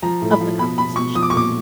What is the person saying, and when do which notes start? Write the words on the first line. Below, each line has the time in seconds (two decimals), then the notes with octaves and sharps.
of the conversation.
0.03 F3 A#5
0.22 A2
0.31 B5
0.41 F3
0.59 B2 B5
0.78 B2 B5
0.96 B2 C#6
1.15 F3 D#6
1.23 D6
1.30 C#6
1.33 A#2 D6